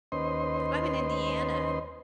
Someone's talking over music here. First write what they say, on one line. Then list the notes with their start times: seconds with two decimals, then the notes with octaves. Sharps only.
I'm in Indiana.
0.12 D#2 C#4 B4 C5 D#5 C6